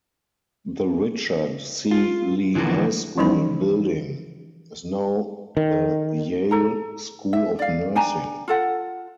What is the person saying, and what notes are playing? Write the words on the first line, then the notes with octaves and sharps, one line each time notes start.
The Richard C Lee High School building is now the Yale School of Nursing.
F4
D3 E3 F3 A#3 B3
E3 F3 G3 C#4 D#4 B5
D#3
A4 A#5
E5
D5 F5
D4 G5 G#5 A#5
F4 A4 F#5